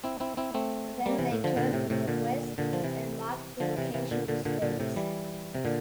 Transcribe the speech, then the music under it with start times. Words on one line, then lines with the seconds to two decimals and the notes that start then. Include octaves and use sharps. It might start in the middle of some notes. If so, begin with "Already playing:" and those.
Then they turned northwest and marked the location with stakes.
0.04 C4 E4
0.20 C4 E4
0.37 C4 E4
0.55 A3 C4
1.06 G3 A#3
1.18 C3 E3
1.31 A2
1.44 D3 F3
1.56 A#2 D3
1.73 A2 C3
1.90 A2 C3
2.08 A#2 D3
2.58 A#2 D3
2.73 F3
2.83 C3 E3
3.60 D3 F3
3.77 C3 E3
3.94 C3 E3
4.11 A#2 D3
4.28 A#2 D3
4.45 A#2 D3
4.62 A#2 D3
4.80 A2 C3
4.96 E3 G3
5.55 C3
5.65 A#2 D3